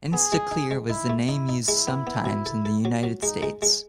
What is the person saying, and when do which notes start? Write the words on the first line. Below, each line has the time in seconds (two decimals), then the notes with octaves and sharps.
Instaclear was the name used sometimes in the United States.
0.13 B3 G#4
0.32 G#3
0.51 D#4
0.71 G#3
0.90 D#4 E4
1.09 A3
1.29 D#4 E4
1.49 D#4
1.68 G#3 E4
1.87 B3
2.07 B3
2.26 B2
2.46 A4
2.65 A4
2.85 F#3
3.03 F#3
3.23 G#3 D#4
3.42 G#3
3.62 G#3